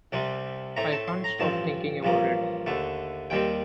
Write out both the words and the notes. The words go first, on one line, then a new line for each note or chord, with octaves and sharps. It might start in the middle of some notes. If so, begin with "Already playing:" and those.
I can't stop thinking about it.
C2 C3 G3 C4
A2 A3 C4 A#5
A5
C6
A#5
A1 G2 F3 C4 A5
A1 G2 F3 A#3
D#2 D3 A3
D#2 D#3 G3 C4 G5